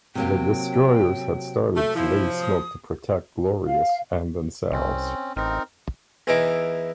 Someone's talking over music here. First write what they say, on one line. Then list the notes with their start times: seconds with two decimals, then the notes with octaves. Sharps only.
The destroyers had started to lay smoke to protect "Glorious" and themselves.
0.15 C3 F#3 A#3 G5
1.76 A3
1.95 F3 E4
2.40 D#6
3.66 F5
4.72 C2 C4 C#4
5.36 A1 C4 D#4 A#4
6.27 E2 E3 D#4 D6